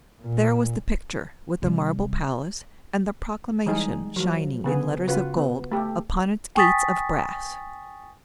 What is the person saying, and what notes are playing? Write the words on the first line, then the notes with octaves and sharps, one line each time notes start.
There was the picture, with the marble palace, and the proclamation shining in letters of gold upon its gates of brass.
A#2
C3 G3
E3 G3 G#3 D#4 G#4
F3 F#3
C#3 B3 G#4
C#3 F4 F#4 B4
B3
A3 G4 A4
G5 G#5 C#6 D#6 A6 B6